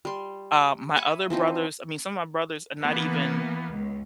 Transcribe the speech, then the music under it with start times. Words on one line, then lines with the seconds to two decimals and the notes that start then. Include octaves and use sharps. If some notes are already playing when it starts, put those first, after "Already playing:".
Uh, my other brothers, I mean, some of my brothers are not even,
0.05 G3 C6
0.96 E5 G#5 B5 C#6
1.30 E3 F3 C4 D#4
2.82 E3 A#3 B3
3.71 C#2